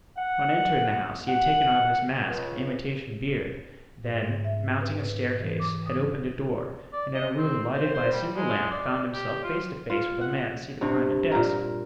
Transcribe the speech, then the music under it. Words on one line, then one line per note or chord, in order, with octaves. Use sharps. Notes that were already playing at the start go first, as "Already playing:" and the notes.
On entering the house he had taken off his mask and imitation beard, then, mounting a staircase, had opened a door, and in a room lighted by a single lamp found himself face to face with a man seated behind a desk.
F#5
F#5
C#2
G#2
E5
B4
B4
E3
D6
D#6
D5
D#5
C4
C5
C5
G3
G#3
D5
G4
F4
F4
F#5
G2 C3
A#2 A#4